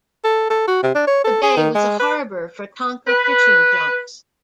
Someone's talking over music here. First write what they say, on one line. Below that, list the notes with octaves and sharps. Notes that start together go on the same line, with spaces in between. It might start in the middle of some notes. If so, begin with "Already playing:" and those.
The bay was a harbour for Tanka fishing junks.
A4
A4
F#4
C3
D4
C#5
A4
G#4
D#3
G#3
B4
B4